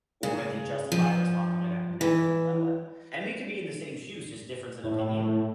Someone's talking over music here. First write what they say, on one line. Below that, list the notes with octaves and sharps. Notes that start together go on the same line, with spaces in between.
or when they justify a response, I'm like, I've never felt that way, and we could be in the same shoes, just difference in opinion,
C#3
F3
E3
A2